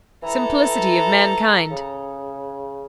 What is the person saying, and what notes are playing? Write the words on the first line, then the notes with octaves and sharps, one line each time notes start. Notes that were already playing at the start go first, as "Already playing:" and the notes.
Simplicity of mankind!
E3 A4 A#5
C#3